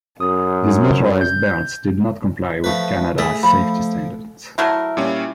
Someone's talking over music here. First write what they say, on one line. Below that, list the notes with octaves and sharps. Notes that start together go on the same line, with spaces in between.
These motorized belts did not comply with Canada's safety standards.
F#2 D#6
G6
F3 A3 B4
A3 G#4 B5
F3 B5
F#3 A3 E4 A#4
A#2 G3 C#4